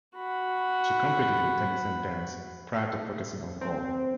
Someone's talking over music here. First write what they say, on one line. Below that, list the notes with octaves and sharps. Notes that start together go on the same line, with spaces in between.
She competed in tennis and dance prior to focusing on golf.
F#4 B5
C4